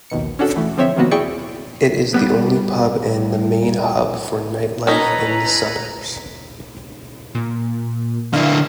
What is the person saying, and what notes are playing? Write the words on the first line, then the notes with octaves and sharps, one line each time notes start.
It is the only pub and main hub for nightlife in the suburb.
A#1 D#2 B2 C#7
C#4 D4 F#4 A4
E3 A3
D3 F3 C4 C#5 E5
C3 D#3 F3 A#3 B3 F#4
E4 G#4 D5 G5 C#6 C#7
G2 G3 B3
C#4 D#4 A4 B4 G#5 A#5 B5
A#2
D3 E4 F5